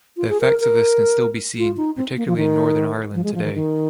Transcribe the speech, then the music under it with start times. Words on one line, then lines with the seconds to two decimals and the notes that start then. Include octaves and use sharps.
The effects of this can still be seen, particularly in Northern Ireland, today.
0.17 F4
0.29 G#4
0.41 A#4
0.60 A#4
1.58 F4
1.77 D#4
1.96 C4
2.16 A#3
2.27 F3
2.37 D#3
3.14 F3
3.24 G#3
3.35 F3
3.43 D#3
3.54 D#3